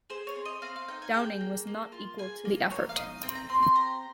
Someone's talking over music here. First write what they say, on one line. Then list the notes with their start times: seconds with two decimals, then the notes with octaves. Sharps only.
Downing was not equal to the effort.
0.10 G#4 C5
0.27 C#5
0.36 C4
0.45 D#5
0.62 C4 F5
0.76 F5
0.88 D#4 G5
1.02 G#5
1.14 G#4 G5
1.41 A#3
1.67 A#3
1.92 F4
2.18 G#4 G#5
2.45 A#3
2.70 A#3 C#5
2.89 F5
2.96 D#4 D#5
3.23 C4 G5
3.35 A#5
3.49 C4 C6
3.63 C6
3.75 G4 A#5